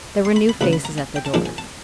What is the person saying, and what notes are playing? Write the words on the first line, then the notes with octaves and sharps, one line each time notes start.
There were new faces at the door.
C6
B5
B5
C#2 B2 F#3 B5
B5
A#5
G#5
G5
A5
G#2 F3 A#3 D4 G#5
G#5
A5